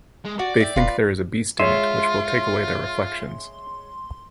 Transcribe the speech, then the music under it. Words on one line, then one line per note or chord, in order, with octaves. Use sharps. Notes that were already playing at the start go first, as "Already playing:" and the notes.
They think there is a beast in it which will take away their reflections.
G#3
F#4 D5
E5 G5
E1 F4 B4
G#3 F4 C#5 E5 C6 D#7